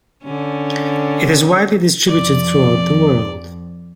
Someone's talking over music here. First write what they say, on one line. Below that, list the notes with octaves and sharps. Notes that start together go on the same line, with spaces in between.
It is widely distributed throughout the world.
D3 C#4
F2 D5